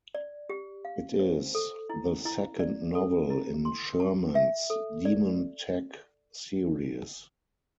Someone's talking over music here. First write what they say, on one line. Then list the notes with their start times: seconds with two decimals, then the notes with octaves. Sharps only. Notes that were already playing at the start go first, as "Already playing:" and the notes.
It is the second novel in Sherman's DemonTech series.
0.15 D5
0.50 G4
0.85 F5
1.19 C5
1.55 A4
1.90 E4
2.25 E4
2.60 D5
2.95 A4
3.30 E4
3.65 C6
4.00 A5
4.35 E5
4.70 A4
5.05 D5